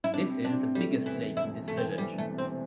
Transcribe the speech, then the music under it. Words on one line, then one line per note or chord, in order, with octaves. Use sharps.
This is the biggest lake in this village.
E4
C3 D4
C3
C4 D4
C3
G3 A3
C3
E2 E3
C3
E1 E4
E1
E1 A3
C4
E3
E2 G3
E1
A3
C3
C4
C3